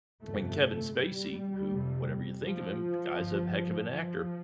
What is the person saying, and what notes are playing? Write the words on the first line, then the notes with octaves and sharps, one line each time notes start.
and Kevin Spacey, who, whatever you think of him, the guy's a heck of an actor,
G1 F2 C3 A3
G3
F1 F2 C3
F3
G1 G2
F3